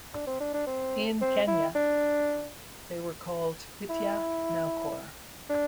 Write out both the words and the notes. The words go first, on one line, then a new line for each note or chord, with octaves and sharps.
In Quenya they were called "Pitya-naukor".
D4
C4
D4
D4
C4
C4
E4
D4
E4
D4